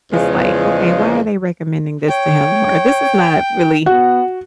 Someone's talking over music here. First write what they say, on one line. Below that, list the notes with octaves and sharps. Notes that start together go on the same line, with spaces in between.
it's like, "Okay, why are they recommending this to him?" Or, "This is not really
E2 C#3 F3 G#3
C#5 G5
B3 F#4 F#5